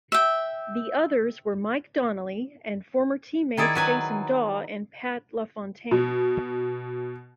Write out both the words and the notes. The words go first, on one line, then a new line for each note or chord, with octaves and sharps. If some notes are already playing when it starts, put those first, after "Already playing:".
The others were Mike Donnelly and former teammates Jason Dawe and Pat LaFontaine.
E5 G5
D#3 E4 G#4 D5
F#3 B4 G#5
B2